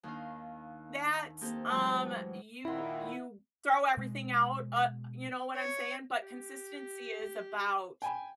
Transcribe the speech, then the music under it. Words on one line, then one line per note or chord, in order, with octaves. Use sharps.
that, um, you you throw everything out, uh, you know what I'm saying? But consistency is about
D#2 D#3 D4 F5
A#3 C4 D#4 G4 A4
E2 A2 F#3 G#3 G5 A5
A#2 D#3 E4 E5 F#5
B2 G#3
C#5
G4
G5 G#5 B5